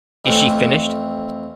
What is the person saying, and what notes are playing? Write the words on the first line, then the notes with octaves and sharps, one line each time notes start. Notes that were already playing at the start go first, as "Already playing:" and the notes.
Is she finished?
F2 E3 A3 C4 C#4